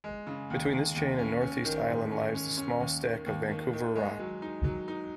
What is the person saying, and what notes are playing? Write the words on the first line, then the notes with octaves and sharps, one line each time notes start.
Between this chain and North East island lies the small stack of Vancouver Rock.
G#3
C#3
D#2
D#2
D#2
C#4
C#4
D#3
G#2
C#4
C#4
C#4
D#2
D#3
D#2
D#3
D#3
G#3
F#3
D#4
F#3
D#4